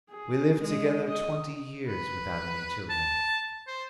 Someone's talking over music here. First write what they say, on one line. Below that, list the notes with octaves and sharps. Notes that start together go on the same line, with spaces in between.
We lived together twenty years, without any children.
G#4
G#3 D#5
D#5
B4
A5
C5